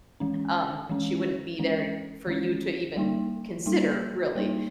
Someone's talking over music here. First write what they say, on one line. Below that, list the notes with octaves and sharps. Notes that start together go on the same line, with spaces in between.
um, she wouldn't be there for you to, even consider, really.
E3 G#3 C#4
E3 G#3 C#4
E3 G#3 C#4
E3 G#3 C#4
G3 A#3 D#4
G3 A#3 D#4
G3 A#3 D#4